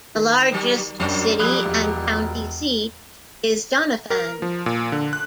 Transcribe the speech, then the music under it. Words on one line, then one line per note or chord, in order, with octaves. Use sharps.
The largest city and county seat is Doniphan.
D#3
F#3 G3
F#2 F#3 D4 C5
A#2 F3 G3 B5 D#6 F#6
E1
A#4
F3
A#2
D3
F#6